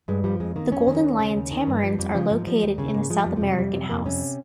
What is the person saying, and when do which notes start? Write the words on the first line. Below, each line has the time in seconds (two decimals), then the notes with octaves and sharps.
The golden lion tamarins are located in the South American house.
0.08 G2 G#3
0.24 F3 G3
0.40 F2 G#3
0.56 D#3 A#3
0.72 F2 C#4
0.87 D#3
1.03 D#2
1.20 C#3
1.36 D#2
1.51 D#3
1.67 G2
1.83 F3
1.99 F2 G3
2.14 C#3 F3
2.31 G#2 F3
2.47 F3 G3
2.62 D#2
2.78 C#3
2.87 C4
2.94 G#2 A#3
3.10 F3 G#3
3.26 F2 G3
3.36 F3
3.42 C3
3.47 G3
3.58 F2 G3
3.73 C3
3.89 F2 A#3
4.06 C3 C#4